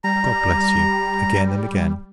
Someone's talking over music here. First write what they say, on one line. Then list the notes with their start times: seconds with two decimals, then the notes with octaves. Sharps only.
God bless you, again and again!
0.04 G3 A#5